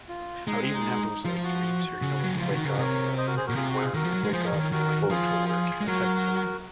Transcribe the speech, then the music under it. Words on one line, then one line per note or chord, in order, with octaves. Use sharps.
I would even have those, uh, dreams here, you know, where you wake up and you're you're at work or you wake up and you're, like, late for work, that type of thing here
F4
G#3 D#4
C4
D#4
F3 F4
F#4
C#3
F#3
F3 F4
D#3 F#4
C#3 F#4 A#4
C3 A#4 C#5
C5 D#5
F#4 A#4
G#4 C5
A#2 F#4 A#4
C3 F4 G#4
F#4
F4 G#4
D#3 F#4 A#4
F3
F#3
G#3
F3 G#4 C5
A#4 C#5
D#3
A#4 C#5
D#3 F#4 A#4
A#4
F3 F4 G#4
F4 G#4
G#3
F#3 F#4 A#4